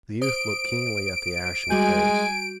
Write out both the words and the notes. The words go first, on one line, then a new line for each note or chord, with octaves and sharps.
The youth looked keenly at the ashen face.
C5 D#6 D7
G3 G#3 F#4 G#5 G6